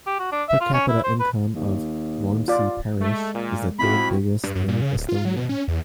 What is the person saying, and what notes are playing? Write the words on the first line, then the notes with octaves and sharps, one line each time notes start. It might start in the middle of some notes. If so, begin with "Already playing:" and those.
Per capita income of Vormsi Parish is the third biggest in Estonia.
G4
F#4
D4
E5
F4
C#4
E4
C5
B4
D#2
F4 D5
G#3 A3
A#2
F2 C4 E4 F#4 B5
G2
F#2
A#2
C#3
D1
F4
F#3
B2
C#4
E2